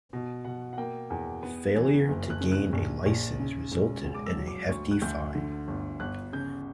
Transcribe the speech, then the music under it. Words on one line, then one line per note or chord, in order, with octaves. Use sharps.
Failure to gain a licence resulted in a hefty fine.
B2
B2 F#5
F#5
A#3 G5
E2
B3
E3
F#1
F#6
C#3
F#6
A#1
A#1
C#3
E1
C#2
D6
E6
F#3
D6
D2 C#6
F#6
D2 G6
D3
G1
G1 F#6
C#3 G6